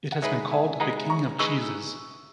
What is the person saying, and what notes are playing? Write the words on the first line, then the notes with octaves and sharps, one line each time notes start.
It has been called the "King of Cheeses".
F#5
G#3 D#4 G#4 B4 C#5 E5
E5 G#5
G#3 D#4 G#4 B4 F#5 A#5
A#5 C#6
G#3 D#4 G#4 B4 C#6 E6